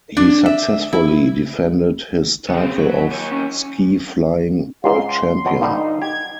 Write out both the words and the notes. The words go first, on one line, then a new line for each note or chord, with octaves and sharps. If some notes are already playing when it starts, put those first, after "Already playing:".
He successfully defended his title of Ski Flying World Champion.
D4
E5
E4
C#3 B3 C4
F#3 B5
D#2 C#5 G#5
C#4
C#2 G#2 C6
B2 F#3
G2 D3 G3 D#4
G4 G#6